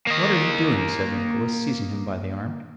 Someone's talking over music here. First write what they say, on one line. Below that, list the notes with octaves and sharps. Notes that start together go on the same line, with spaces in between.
'What are you doing?' said Nicholas, seizing him by the arm.
A#3 D#5